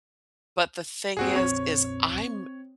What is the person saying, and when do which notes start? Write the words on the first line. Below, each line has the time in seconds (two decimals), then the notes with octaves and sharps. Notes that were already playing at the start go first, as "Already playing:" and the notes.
but the thing is, is I'm
1.17 D#1 G2 A#3 C4 F#4 G#4
1.36 A#1 F2 C4 C#5